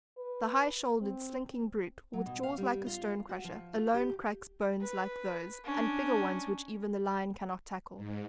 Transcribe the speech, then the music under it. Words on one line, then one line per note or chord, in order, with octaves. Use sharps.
The high-shouldered slinking brute, with jaws like a stone-crusher, alone cracks bones like those and bigger ones which even the lion cannot tackle.
B4
C4
F#3
B2
F5
G3
F4
F#4
F3
F4
G4
B4
C#4 D4
G#2